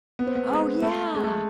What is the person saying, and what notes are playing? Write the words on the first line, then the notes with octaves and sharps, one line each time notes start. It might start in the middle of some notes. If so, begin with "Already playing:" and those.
Oh yeah,
B3
C4
B3
G#3
A3
G#3
A3